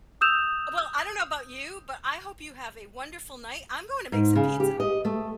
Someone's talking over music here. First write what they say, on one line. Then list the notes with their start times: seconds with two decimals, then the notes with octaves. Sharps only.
well, I don't know about you, but I hope you have a wonderful night. I'm going to make some pizza.
0.21 D#6 E6 G6 E7 F7
4.12 G#2
4.35 C#3
4.60 G4
4.80 D#5
5.05 A3